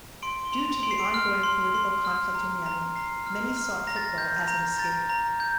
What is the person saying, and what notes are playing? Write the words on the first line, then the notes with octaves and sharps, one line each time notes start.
Due to the ongoing political conflict in Yemen, many sought football as an escape.
C6 D7
G7
C6 F7
C6 D7
C7
D7
F6
C6
C6
F6
A#5
A#5
A#5 C7
F6
F6
A#5 A#6
A6
A#6
G6
A#5
A#5 A6
A#5
G6